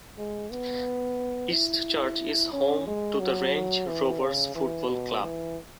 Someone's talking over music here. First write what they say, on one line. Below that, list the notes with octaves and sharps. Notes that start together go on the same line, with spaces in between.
Eastchurch is home to the Range Rovers Football Club.
G#3
B3
E4
C#4
G#3
F#3
E3
C#3
E3
B2
E3